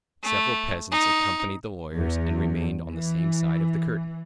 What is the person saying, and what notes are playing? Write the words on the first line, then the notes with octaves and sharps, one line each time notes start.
Several peasants accompanied the lawyers and remained on the same side of the curtain.
A3
D#4
E2
E3